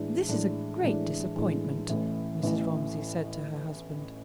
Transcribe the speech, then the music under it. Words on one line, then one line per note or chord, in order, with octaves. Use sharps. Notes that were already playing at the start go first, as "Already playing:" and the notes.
"This is a great disappointment," Mrs. Romsey said to her husband.
Already playing: A2 E3 G#3 D4
A2 E3 G#3 D4
A2 E3 G#3 D4
A2 E3 G#3 D4
A1 A2 E3
A1 A2 E3